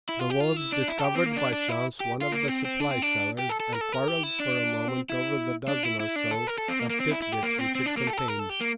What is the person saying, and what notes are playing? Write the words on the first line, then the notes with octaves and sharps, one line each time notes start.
The wolves discovered by chance one of the supply cellars, and quarreled for a moment over the dozen or so of tit-bits which it contained.
E4
F4
G4
F4
E4
D4
E4
A4
G4
C4
A#3
D4
D4
E4
G4
F4
A#3
C4
C4
D4
C4
D4
G4
A4
A4
A#4
A4
A#4
G4
E4
D4
C4
E4
D4
E4
E4
D4
A4
A#4
A4
C4
A#3
A#3
C4
E4
E4
G4
A#3
C4
C4
D4
A#3
A4
G4
A4
A#4
A4
G4
A#3